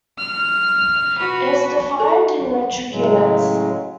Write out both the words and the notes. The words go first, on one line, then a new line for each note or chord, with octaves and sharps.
It is defined in metric units.
F6
F#4 B4
A4
A2 C#3 F#3 G#3